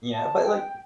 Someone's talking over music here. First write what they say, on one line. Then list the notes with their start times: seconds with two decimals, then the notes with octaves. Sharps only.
Yeah, but like
0.13 A5
0.44 G5